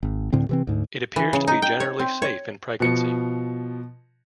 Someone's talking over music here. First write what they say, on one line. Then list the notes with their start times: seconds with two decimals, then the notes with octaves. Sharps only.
It appears to be generally safe in pregnancy.
0.03 G#1
0.32 D2 A2 D3 C4
0.49 C3 E3 C4
0.67 D2 G#2
1.16 E3
1.33 C#3
1.47 D#4
1.62 G5
1.80 C#5
1.99 C4
2.22 C#5
2.80 B2 F3 C#7